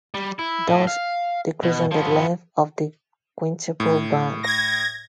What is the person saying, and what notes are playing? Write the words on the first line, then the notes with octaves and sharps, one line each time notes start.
Thus, decreasing the length of the quintuple bond.
G3
E4
A2
F5
B2
F3 B3
A2
G#6 A#6